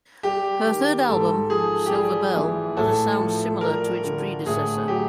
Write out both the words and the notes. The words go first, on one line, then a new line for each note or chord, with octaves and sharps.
Her third album, "Silver Bell", has a sound similar to its predecessor.
G3 G4
D#3
G#2 A4
F3 G#4
G4
G3 G#4
E3
A2 A4
F3
G3 A#4
D3
A2 G#4
F#3 G4